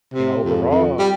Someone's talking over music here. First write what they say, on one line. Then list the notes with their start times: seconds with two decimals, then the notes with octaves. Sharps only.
you know, overall
0.14 C3
0.45 F2
0.70 F2
0.99 G3